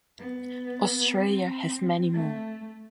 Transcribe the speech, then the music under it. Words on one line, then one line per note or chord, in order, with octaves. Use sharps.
Australia has many more.
B3
C4
A3